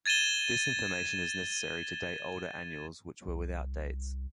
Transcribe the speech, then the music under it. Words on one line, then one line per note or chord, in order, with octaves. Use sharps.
This information is necessary to date older annuals which were without dates.
G#6 A6 D#7 E7 G7
C2